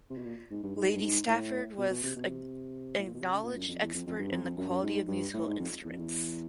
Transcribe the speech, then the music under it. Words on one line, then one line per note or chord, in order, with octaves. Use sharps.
Lady Stafford was an acknowledged expert in the quality of musical instruments.
C3
B2
A#2
G#2
G2
G#2
G2
G#2
A2
B2
B2
C3
B2
C3
A2
A#2
B2
C3
C#3
A#2
F#2
F2
E2
F2
F2
G2
F2
F2
F#2
F#2
G#2
G2
A2
G#2
F2
E2
F2
E2